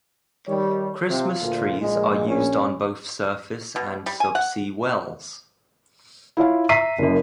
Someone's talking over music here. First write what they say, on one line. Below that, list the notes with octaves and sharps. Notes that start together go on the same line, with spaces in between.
Christmas trees are used on both surface and subsea wells.
D#3 G3 C#5
C3 F4
D2 A#2
A#1 G#3
C#4
B2
G3
G#5
F#5
E4 F4 C#5 F5
E5 A#5 B6 C7 D#7
F#1 F#2